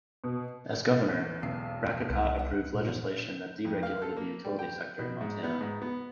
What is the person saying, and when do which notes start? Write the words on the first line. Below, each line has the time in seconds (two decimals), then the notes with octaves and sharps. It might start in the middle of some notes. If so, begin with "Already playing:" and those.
As governor, Racicot approved legislation that deregulated the utility sector in Montana.
0.24 B2
1.08 E2
1.42 E1 B1 C7
2.10 C2
2.39 F#5
2.74 A#2
3.65 F2
3.83 F5
4.02 A4
4.17 A#3
4.44 G3
4.59 G5
4.99 B2
5.21 G#2
5.44 B3
5.61 G#2
5.82 B3